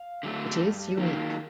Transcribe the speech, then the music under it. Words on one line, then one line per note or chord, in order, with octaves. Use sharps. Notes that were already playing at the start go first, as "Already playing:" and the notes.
It is unique.
Already playing: F5
D3 F#3 A3
G2
D#3 F#3 A#3